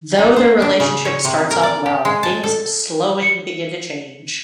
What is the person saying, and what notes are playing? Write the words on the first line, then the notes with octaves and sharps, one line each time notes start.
Though their relationship starts off well, things slowing begin to change.
D#4
C5
D4
C#3
C#5
C3
A#4
D5
G4
G#3
A5
A4
C#7